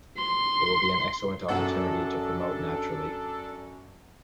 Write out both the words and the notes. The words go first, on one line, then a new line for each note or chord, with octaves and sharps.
It will be an excellent opportunity to promote naturally.
C6
F#2 D4 A4 F#5